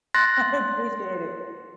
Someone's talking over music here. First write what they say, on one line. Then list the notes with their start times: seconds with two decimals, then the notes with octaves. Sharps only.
I appreciate it.
0.15 C6 F#6 A6 A#6